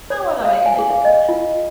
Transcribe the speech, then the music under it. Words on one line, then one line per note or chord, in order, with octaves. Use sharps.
“Now, what am I gonna do?"
C#5
F5
G#5
G#4
F5
D#5
F4